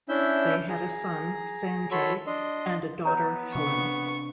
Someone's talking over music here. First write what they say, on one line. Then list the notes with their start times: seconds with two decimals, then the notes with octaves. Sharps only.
They had a son, Sanjay, and a daughter, Helen.
0.09 C#4 D4 E4 E5 G6
0.69 G#4 A#5
1.91 F#4 A4 C#5 B5 C6 E6
2.27 D4 D#5 C6
3.05 B3 B4 C#5 A#5
3.55 C3 D4 C#6